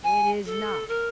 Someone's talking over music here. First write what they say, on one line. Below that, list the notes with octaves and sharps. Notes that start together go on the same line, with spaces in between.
'It is not.
G#5
A4
A#4